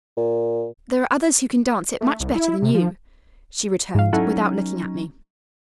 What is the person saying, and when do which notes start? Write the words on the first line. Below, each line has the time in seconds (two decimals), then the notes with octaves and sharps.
"There are others who can dance it much better than you," she returned, without looking at me.
0.17 A#2
2.01 A3
2.20 C2
2.35 E4
2.62 C3
2.74 F3
3.95 G#2 F5
4.13 F#3 C#4 D#4 E4 A4 F#5